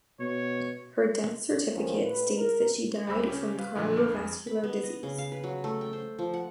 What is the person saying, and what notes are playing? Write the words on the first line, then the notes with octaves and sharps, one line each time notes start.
Her death certificate states that she died from cardiovascular disease.
B2 C#5
D#2 F3 C#4 A#4
A2 B4
A#4
D2 G3 C5 B5 E6
C#3 C#4 G4
B4 F5
G2 A#2 D3 E3 F3
B1 D4 D6 F6
F2 G#4
B5
B3
D#5
C#3
F5
B4
F#3
A3
G5
C5
F3
F#5